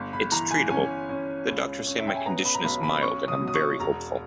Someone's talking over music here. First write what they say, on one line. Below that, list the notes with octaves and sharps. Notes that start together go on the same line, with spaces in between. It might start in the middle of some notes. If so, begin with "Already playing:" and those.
It's treatable - the doctors say my condition is mild and I'm very hopeful.
Already playing: G1
B5
E3 A#5
G#5
C#4 G#5
C#4
C#2
C#4
E5
G5
G#5
B3 A#5
B5
A#5
B1 B5
B5
C#4 C#6
D#6
B2
D#6
C#6
E1 A#5